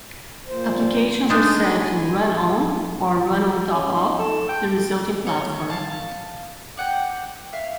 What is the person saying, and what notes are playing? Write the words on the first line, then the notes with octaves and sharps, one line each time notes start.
Applications are said to "run on" or "run on top of" the resulting platform.
A#2 C5
G#3 D4 D#4 G#5
C#4
D#4
A4
G5
C#5
F5 A5
D5 F#5 G5
E5 F5 F6